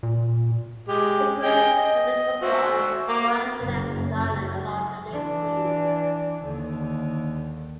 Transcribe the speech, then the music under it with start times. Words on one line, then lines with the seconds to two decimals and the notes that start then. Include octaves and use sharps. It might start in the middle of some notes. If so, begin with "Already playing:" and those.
Frequent public buses run the length of the island along the main street.
0.03 A#2
0.88 G#3 G4
1.43 G#4 D#5 G5
1.76 D#5
2.42 F#4 C5 E5
3.08 A#3 D6
3.62 F#1
5.10 E3 D4
6.44 D#2 D3